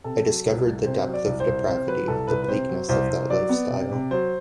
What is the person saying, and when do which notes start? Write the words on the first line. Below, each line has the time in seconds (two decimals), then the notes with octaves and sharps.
I discovered the depth of depravity, the bleakness of that lifestyle.
0.04 C3 A4
0.25 F#3
0.46 C2
0.65 C2
0.85 C3 C5
1.06 F#3
1.14 D5
1.26 C2
1.40 C5
1.47 C2
1.67 C3 C5
1.87 F#3 B4
2.08 C2 A4
2.27 C2 B4
2.42 B4
2.48 C3 C5
2.69 F#3
2.89 C2 C5
3.10 C2
3.30 F#3 D5
3.49 B3
3.71 C3
3.91 C3
4.11 F#3 C5